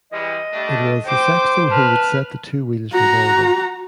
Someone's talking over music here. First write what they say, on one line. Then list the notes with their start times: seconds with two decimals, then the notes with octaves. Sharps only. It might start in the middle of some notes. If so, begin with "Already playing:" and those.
It was the Sexton who would set the two wheels revolving.
0.12 E3 G3 G#3 D#5
0.52 G3 A3 D4
1.06 C5 G5 D6
1.71 B4 A5 F6
2.92 F#4 A#5